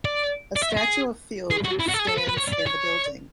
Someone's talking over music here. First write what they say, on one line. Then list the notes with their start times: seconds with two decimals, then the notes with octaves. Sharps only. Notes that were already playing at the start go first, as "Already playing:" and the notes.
A statue of Field stands in the building.
0.05 D5
0.56 D5
0.62 E5
0.77 G#4
1.50 G#4
1.64 F#4
1.79 E4
1.88 F#4
1.93 A4
1.99 G#4
2.08 A4
2.18 B4
2.28 B4
2.37 C#5
2.52 D5
2.66 C#5